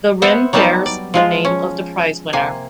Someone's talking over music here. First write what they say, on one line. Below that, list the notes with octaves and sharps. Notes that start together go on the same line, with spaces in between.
The rim bears the name of the prizewinner.
B3 C5 E5 F#5
F#3 G3 B3 D#4 A5
D5
F3 G#3 F4
C#4
C3 A#3 G#5